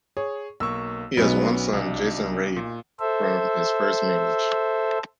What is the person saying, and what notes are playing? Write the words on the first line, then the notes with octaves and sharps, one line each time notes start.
He has one son, Jason Rabe, from his first marriage.
G#4 C#5
B1 A#3 C#6 E6
B1 F#3 B3 C#4 D4
C2 D4
A#2
A4 C5 E5